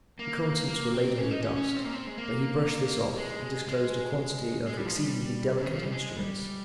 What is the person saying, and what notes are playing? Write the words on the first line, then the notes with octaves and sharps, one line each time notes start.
The contents were laden with dust, but he brushed this off and disclosed a quantity of exceedingly delicate instruments.
A#3
A#3
C4
C#4
D#4
C#4
C#4
C#4
C4
A#3
C4
G#3
A#3
G#3
G#3
G#3
G3
F3
G3
C#3
D#3
F3
G3
G#3
G3